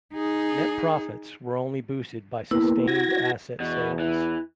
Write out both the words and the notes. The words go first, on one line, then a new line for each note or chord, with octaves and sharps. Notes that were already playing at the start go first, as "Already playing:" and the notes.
Net profits were only boosted by sustained asset sales.
D#4 G#4
A#3 B3 E4
F#4 G#6 A#6
E2 B2
E3